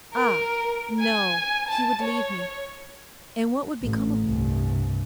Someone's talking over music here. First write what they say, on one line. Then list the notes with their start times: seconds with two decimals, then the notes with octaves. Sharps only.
"Ah, no, he would leave me, and what would become of me?"
0.13 A#4
1.00 G#5
1.69 A5
2.02 C#5
3.82 A1
4.25 C2 G2